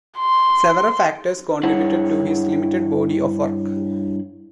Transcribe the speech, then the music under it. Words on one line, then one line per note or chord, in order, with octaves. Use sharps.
Several factors contributed to his limited body of work.
C6
G2 E4 G#4 C#5 F#5